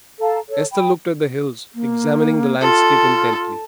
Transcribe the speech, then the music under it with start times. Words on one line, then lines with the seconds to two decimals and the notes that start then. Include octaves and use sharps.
Esther looked at the hills, examining the landscape intently.
0.20 A4 F5 A5 A#5
0.49 A4 C#5
0.71 G5 B5
1.74 A#3
2.61 F4 A4